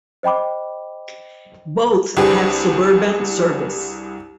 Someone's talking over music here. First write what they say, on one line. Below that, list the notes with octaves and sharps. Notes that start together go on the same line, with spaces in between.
Both have suburban service.
C5 D#5 G5 B5 D6
C2 C4 D4 G4 G#4 B4